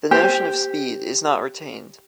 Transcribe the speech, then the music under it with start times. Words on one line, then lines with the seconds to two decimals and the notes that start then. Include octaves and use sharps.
The notion of speed is not retained.
0.11 G4 C5 G5